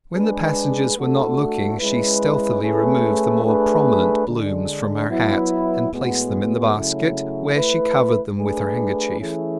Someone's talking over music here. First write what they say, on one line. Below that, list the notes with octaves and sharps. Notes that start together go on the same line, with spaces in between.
When the passengers were not looking she stealthily removed the more prominent blooms from her hat and placed them in the basket, where she covered them with her handkerchief.
G#3 D4 G#4 B4
A3 D4 F#4 A4
G#3 C#4 E4 B4
A3 C#4 G#4 B4
A3 D4 G#4 B4
D3 G#3 D4
F#3 B3 E4 B4
A2 G#3 B3 F#4
C#3 F#3 A3 C#4 E4
A3 E4 B4
A3 D4 G#4 B4
E3 A3 C#4 E4 G#4